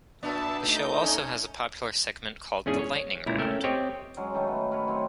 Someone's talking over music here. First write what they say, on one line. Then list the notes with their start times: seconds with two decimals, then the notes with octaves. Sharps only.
The show also has a popular segment called "The Lightning Round".
0.23 A#2 B3 D4 E5 A5
0.59 A3 D#4 G6
1.03 C#4
2.66 E2 G#2 C#4 D4 G#4 G#5
2.79 C#5
3.26 C#2 A#2 E4 A#5
3.38 A3 C#4 A#4 E5 G5
3.64 C4 G4 C#5 D#5
4.17 F#3 G#3 C#4
4.34 D#3 F#3 A3 D#4
4.47 B3
4.71 A3 A#4 B4 C#5
4.87 D#3 F#3 C4 C#5